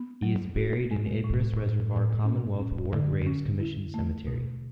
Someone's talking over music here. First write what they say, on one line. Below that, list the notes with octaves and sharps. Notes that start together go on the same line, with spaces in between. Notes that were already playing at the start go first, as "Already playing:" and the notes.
He is buried in Ypres Reservoir Commonwealth War Graves Commission Cemetery.
Already playing: B3
F#3
F#4
G#3
A2
A2
A2
C#4
C#4
D3
C#4
E4
A3
B2